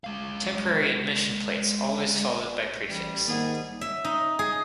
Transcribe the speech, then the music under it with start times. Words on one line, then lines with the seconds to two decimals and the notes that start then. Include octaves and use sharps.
Temporary admission plates always followed by prefix.
0.04 G#3 F5
2.89 A1 G3
3.28 G#2 D#3 A#3 G#4 F#5
3.81 E5
4.04 D#4
4.39 G#4